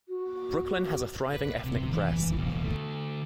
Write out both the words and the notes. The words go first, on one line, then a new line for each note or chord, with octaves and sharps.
Brooklyn has a thriving ethnic press.
F#4
B4
C3
E3
E2 B2
D3 A3